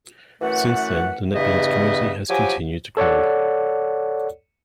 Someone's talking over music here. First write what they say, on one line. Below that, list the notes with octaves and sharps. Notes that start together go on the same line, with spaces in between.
Since then, the NetBeans community has continued to grow.
F#2 E3 A3 B4 F#5
E2 G2 C#3 B3 D#5 E5
F3 F#3 G4 G#5
A4 C#5 D5 F#5